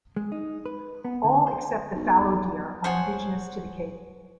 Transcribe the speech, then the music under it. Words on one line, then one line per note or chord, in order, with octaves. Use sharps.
All except the fallow deer are indigenous to the Cape.
G#3
D#4
B4
B3
D3
C5
B1
C5 C#5 F#5 G#5